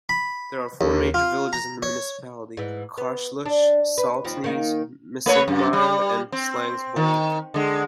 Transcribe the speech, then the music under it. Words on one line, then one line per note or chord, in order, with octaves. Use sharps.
There are four major villages in the municipality: Karlshus, Saltnes, Missingmyr, and Slangsvold.
B5
D#2
F4
A#5
C#5
G#2 E3
B3
D4
B4
D#2 F3 C4
D#3 A#3 D#4
A3 B4 C#5
F#2
G3
C4
D#3
D3 G#3